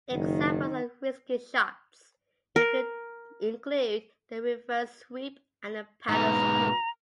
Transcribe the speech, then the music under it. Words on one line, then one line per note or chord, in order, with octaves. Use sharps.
Examples of risky shots include the reverse sweep and the paddle-scoop.
F#1 D#3
A#4
G#2 B2 A#5